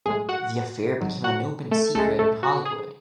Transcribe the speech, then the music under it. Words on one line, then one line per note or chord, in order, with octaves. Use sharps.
The affair became an open secret in Hollywood.
B1 A2 G#3 G#4
F#4 F#5
G#1 G#2 F#3
F#4 F#5
A3 A4
C#2 C#3 G#3 A3 A4
A3 A4
F#4
G#4